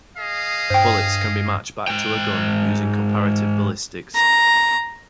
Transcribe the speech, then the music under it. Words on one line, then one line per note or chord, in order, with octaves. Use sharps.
Bullets can be matched back to a gun using comparative ballistics.
G#4 D#5 F5
G2 C5 G5
G#2 G5
A#5